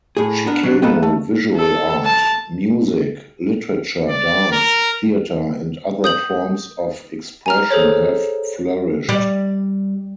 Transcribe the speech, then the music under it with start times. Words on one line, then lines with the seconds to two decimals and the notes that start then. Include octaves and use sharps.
Chicano visual art, music, literature, dance, theater and other forms of expression have flourished.
0.17 A2 G#4
0.47 B3 D4 A#4
0.63 F#3 D4
0.82 A#3 B3 A4 B4 D#5 G5
1.03 A3
1.56 A4
2.05 A5
4.08 D5
4.52 A#4
6.04 D#6 G6 F#7
7.46 G#5 A#5 F6
7.70 G#4 A4 C5 C#5
9.09 G3